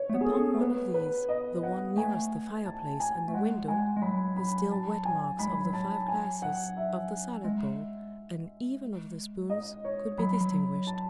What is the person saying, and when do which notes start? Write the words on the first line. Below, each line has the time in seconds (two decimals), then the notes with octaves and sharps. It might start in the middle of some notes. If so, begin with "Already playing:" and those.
Upon one of these, the one nearest the fireplace and the window, the still wet marks of the five glasses, of the salad-bowl, and even of the spoons could be distinguished.
Already playing: C#5
0.09 A3
0.15 B3
0.21 G#4
0.25 A4
0.37 B3
0.54 A3
0.61 B3 B4
0.94 B4
1.29 D#5
1.63 F#5
1.96 A3 G#5
2.66 A5
3.00 G#5
3.28 A3
3.34 G#3 F#5
3.68 G#3 G#5
3.97 G#3
4.02 F#3 B5
4.37 B5
4.71 A5
5.05 G#5
5.39 G#3 B5
5.48 F#3
5.65 F#3
5.73 A5
6.08 G#5
6.42 F#5
6.77 E5
7.44 G#3
9.50 D#5
9.85 C#5
10.18 F#3 B5
10.41 F#3
10.87 A5